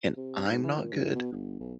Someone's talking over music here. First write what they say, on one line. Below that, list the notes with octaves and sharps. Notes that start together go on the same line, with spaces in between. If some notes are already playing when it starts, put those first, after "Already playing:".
and I'm not good
C3
G#2
E3
A#2
G2
B2
G1
B1